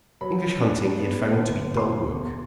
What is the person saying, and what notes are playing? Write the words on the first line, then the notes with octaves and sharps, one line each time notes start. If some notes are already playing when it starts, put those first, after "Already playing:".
English hunting he had found to be dull work.
F#3 B5
D4
B3
D3
B2 C6
E2